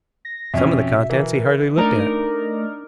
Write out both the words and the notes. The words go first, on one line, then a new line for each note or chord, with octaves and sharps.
Some of the contents he hardly looked at.
A#6
F2 B2 C#4 E5
E3 A#4
A3 D4 D#4 A#4 D5